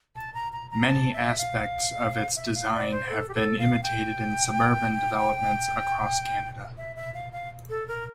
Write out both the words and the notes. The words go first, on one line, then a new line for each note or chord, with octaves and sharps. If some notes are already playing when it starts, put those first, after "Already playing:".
Many aspects of its design have been imitated in suburban developments across Canada.
A5
A#5
A#5
A#5
A5
E5
F5
E5
F5
D5
C5
A4
G4
A4
F5
G5
E5
E5
F5
F5
A4
A#4